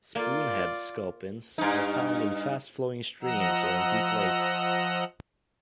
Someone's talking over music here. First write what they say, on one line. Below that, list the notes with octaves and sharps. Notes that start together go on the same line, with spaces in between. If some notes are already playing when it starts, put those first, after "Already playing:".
Spoonhead sculpins are found in fast flowing streams or in deep lakes.
A#3 F4 D5
G2 D#4
F3 D#5 F#5 A#5 E6